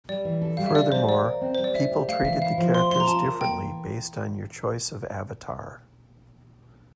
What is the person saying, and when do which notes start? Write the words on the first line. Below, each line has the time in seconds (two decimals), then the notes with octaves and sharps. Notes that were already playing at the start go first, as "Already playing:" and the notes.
Furthermore, people treated the characters differently based on your choice of avatar.
0.09 G3 D5
0.25 E3
0.41 A4
0.57 G3 F5
0.66 E5
0.75 D4 D5
0.92 G3 C5
1.09 G4 D5
1.25 A#4
1.41 C4
1.54 G3 C5
1.64 D5
1.74 E4 E5
1.91 G4
2.08 A3 F5
2.24 E3 E5
2.42 E4 F5
2.58 F3
2.74 C4 C6
2.91 F3 C6
3.00 A#5
3.08 F4 A5
3.24 A#4
3.41 A#3 G5
3.57 E3